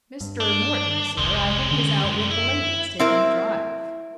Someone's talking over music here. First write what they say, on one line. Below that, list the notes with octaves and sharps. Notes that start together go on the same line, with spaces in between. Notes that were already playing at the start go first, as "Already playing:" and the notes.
"Mr. Morton, sir, I think is out with the ladies, taking a drive."
G2
D4
F1 C2 C3 G#3
D3 C#4
F#2
E4
C4 E4 A#4